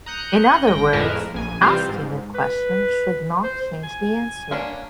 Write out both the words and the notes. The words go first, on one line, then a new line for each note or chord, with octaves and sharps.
In other words, "Asking a question should not change the answer".
A#5 D#6 F#6 G6 C#7
G#1 G5 A#6
F2 A2 G#3 A#4 B4 E7
A#1 G#5 D#7
C3 E3 G3 C4 F4 C5
G#2
B4
C5
G#5
A#3 C#4 D4